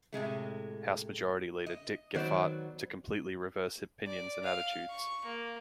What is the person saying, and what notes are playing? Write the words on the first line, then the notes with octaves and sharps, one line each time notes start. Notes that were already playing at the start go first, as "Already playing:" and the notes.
House Majority Leader Dick Gephardt to completely reverse opinions and attitudes.
A2 C3 G#3 A3
D#5
D#3 F#3 B3 C5 D5
D5
F5
C#6
A#3